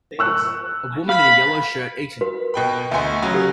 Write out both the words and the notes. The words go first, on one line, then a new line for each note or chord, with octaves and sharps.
A woman in a yellow shirt eating.
C#6 E6 F#6
F5 B5
F#4 A#4 B4
B2 G5 B5
D2 A3 D#5 E5 G#5 C6
C#3 F#3 C#4
G4 A4 F#5